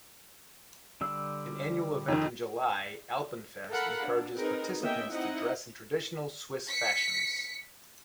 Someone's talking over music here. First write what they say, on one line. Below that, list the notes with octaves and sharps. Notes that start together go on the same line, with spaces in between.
An annual event in July, Alpenfest, encourages participants to dress in traditional Swiss fashions.
D3 G3 E6
F2 D#3 D#4
A4 A#4 F5 F#5 B5
D4
C4 D#4 G#4 A#4 B4
A#3 B3 C#4 D#5 E5 G5
C4 D#4 E4 D#5 F#5
B6 C#7